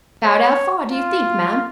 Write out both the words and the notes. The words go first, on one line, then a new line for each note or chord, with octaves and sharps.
"About 'ow far do you think, ma'm?"
C#5
F4